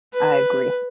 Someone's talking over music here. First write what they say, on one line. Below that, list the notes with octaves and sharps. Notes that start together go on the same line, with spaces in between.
I agree.
B4